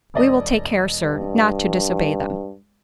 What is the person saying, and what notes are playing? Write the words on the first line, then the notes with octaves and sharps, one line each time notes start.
"We will take care, Sir, not to disobey them."
E1 D5 D#5
G2